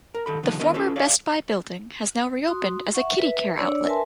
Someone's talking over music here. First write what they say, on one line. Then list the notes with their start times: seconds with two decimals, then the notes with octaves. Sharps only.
The former Best Buy building has now reopened as a Kiddicare outlet.
0.14 A#4
0.26 D#3 A4 B5
0.43 C2 D3 D#3 F3 B3
0.60 D#3 B3 D4 A#4 B4 D#5
0.74 C#4 F4 A4 B4 C#5
0.96 G#4 C#5 D5 E5 F5
2.47 F#4 C6 D#6
2.94 E5 F#5 C#6
3.19 B4 E5
3.57 D4 C#5 D5 E6
3.86 A#4 B4 E5 G#5 A5 C6